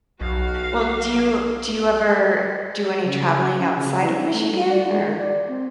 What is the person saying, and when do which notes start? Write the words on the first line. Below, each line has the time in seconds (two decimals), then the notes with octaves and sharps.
well, do you do you ever do any traveling outside of Michigan? Or
0.21 B1 F#4 F5
3.04 C#3
3.58 C#4
3.75 C#3
4.00 E3
4.19 E4
4.33 A3
4.51 G3
4.69 D5
4.89 G#3
5.17 D5
5.48 C4